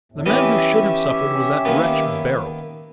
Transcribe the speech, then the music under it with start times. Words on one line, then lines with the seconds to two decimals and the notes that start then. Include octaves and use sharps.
"The man who should have suffered was that wretch Beryl."
0.12 E2 A2
0.26 E3 B3 C#4 G4 D#5 E5
1.65 D#3 A#3 B3